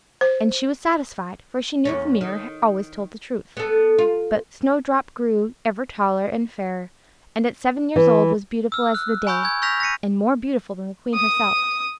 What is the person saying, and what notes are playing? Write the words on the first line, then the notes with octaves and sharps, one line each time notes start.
And she was satisfied, for she knew the mirror always told the truth. But Snowdrop grew ever taller and fairer, and at seven years old was beautiful as the day, and more beautiful than the queen herself.
C5
E2 A#3 C#4
D#3
B3 A4
F4
E3
E6 F6
F#6
G#5 B5 C#6 E6 G6
G#5 G#6
C#6 F6 G6 A#6 B6 F7
A#6 B6 C#7 D#7
D#6